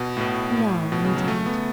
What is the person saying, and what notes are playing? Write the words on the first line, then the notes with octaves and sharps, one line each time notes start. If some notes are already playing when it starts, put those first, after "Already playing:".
"No, indeed."
Already playing: B2
A2
B2
A2
B2
C#3
F#3
A3
B3